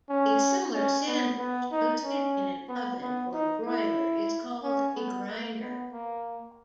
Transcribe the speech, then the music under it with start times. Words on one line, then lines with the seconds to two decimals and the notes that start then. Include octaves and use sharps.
A similar sandwich toasted in an oven or broiler is called a "grinder".
0.10 C#4
0.74 C#4
1.07 B3
1.39 B3
1.72 D#4
2.04 C#4
2.69 B3
3.01 B3
3.34 D#4
3.66 E4
4.64 C#4
4.96 B3
5.29 A#3
5.61 B3
5.93 A#3